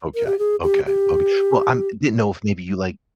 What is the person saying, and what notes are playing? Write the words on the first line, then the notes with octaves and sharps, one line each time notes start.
Okay, okay, okay. Well, I'm didn't know if maybe you, like,
A#4
G4
G#4
G4
G4